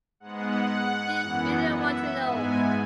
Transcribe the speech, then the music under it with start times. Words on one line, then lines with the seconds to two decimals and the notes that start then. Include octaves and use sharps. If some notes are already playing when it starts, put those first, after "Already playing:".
You really want to know?
0.20 G#2 G#3 B3 F#5
1.21 F#2 E3 B3
1.73 E5
2.22 G#2 G#3 B3 G#5